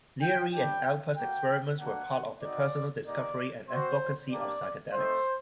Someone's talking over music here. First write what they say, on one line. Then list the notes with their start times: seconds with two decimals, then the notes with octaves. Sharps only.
Leary and Alpert's experiments were part of their personal discovery and advocacy of psychedelics.
0.20 G5
0.52 G3 D4 G4 G5
1.15 A#3 F#4 G5
1.78 A#3 D4 F#4 F#5
2.41 C4 D#4 F#4 D5
3.05 A#3 D#4 G4 D5
3.67 C4 F#4 C5
4.30 A#3 D4 G4 D5
4.93 A3 C4 D#4 C5